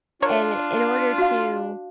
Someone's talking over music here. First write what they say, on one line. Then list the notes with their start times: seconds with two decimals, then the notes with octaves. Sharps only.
And i in order to
0.22 D4 F4 A#4 C#5
1.18 F#4 F5